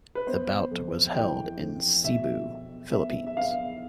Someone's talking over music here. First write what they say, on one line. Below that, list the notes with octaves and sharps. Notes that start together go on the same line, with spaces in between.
The bout was held in Cebu, Philippines.
B4
B3 C5
F2
E3 G5
F2
B2 E5
B2
B3 E5
E5
B3 F5